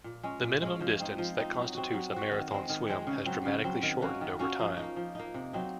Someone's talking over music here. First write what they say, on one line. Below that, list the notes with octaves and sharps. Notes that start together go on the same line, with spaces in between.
The minimum distance that constitutes a marathon swim has dramatically shortened over time.
A#2
G#3 C#4
A#2
G#3 C#4
F3
C4 D#4
F3
C4 D#4
F#3
C4 F#4
F#3
C4 F#4
D#3
G#3 C4
D#3
G#3 C4
C#3
F#3 C4
C#3
F#3 C4
D#3
A#3 C#4 F#4
D#3
A#3 C#4 F#4
F3
A#3 D#4
F3
A#3 D#4
C3
F#3 C4 D#4